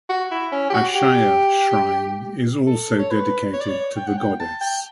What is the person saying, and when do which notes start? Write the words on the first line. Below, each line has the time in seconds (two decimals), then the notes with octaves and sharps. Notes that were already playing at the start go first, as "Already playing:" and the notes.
Ashiya Shrine is also dedicated to the goddess.
0.10 F#4
0.32 E4
0.52 C#4
0.70 G4
0.74 F#4
0.95 G4
2.67 A4
2.99 C#5
3.11 B4
3.54 C#5
3.61 D5
3.68 C#5
3.97 G5
4.08 F#5
4.18 G5
4.40 A5
4.61 G5